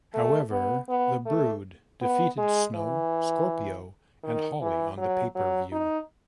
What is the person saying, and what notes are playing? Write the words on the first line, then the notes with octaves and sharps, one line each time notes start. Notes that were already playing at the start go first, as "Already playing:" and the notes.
However, The Brood defeated Snow, Scorpio, and Holly on the pay-per-view.
A3
B3
B3
A3
B3
G#3
E3
D#3
E3
F#3
F#3
D#4